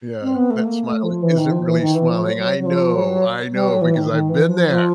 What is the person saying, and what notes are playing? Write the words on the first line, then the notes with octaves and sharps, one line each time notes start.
Yeah. That smile isn't really smiling. I know. I know because I've been there.
C4
B3
A3
A#3
A3
F3
E3
D#3
F3
E3
D#3
E3
F3
F#3
F#3
F#3
F3
F#3
G3
F#3
E3
D#3
D#3
E3
F3
F3